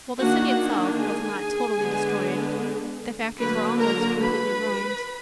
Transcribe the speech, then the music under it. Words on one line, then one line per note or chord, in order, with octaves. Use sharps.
While the city itself was not totally destroyed, the factories were almost completely ruined.
D#3 A#3 D4 F#4 F#5
G#4 G#5
D3 G#3 B3 D4
D3 F#3 A#3 B4 B5
A#4 A#5
B4 B5